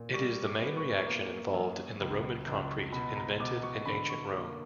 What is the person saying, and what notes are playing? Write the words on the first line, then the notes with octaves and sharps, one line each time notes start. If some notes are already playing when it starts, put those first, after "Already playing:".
It is the main reaction involved in the Roman concrete invented in Ancient Rome.
Already playing: A#2
G3 C#6
D6
B3
C#6
A#3
F#2
C#2
C#2
B2 B5
A#5
B2 D6
C#6
D3 B5
C#6
A#3 D6